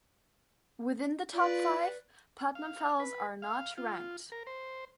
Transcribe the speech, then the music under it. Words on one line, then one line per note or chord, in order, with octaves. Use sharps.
Within the top five, Putnam Fellows are not ranked.
F4 B4 D5
F5
B4
F5
F4
A#4
C5